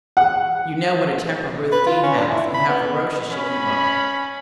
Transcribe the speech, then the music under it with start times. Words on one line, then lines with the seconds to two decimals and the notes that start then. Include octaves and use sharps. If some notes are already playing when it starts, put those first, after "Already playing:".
You know what a temper Ruth Deane has and how ferocious she can look?
0.17 F#5
1.72 B4
1.86 F4
2.03 C#4
2.18 D4
2.31 E4
2.54 B5
2.69 B3
3.31 C#4 B5